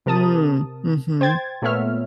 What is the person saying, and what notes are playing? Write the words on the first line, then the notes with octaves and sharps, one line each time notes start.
Mm, mhm.
C3 A#4 A5 D#6
C5 G5 G#6 A6
A#2 A3 B3 C#5 E5 F6